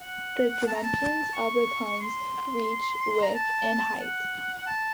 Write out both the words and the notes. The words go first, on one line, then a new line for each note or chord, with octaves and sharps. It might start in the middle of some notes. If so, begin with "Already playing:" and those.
The dimensions of the cones reach width and height.
F#5
A5
A#5
A5
C#6
C6
A#5
A5
F#5
A5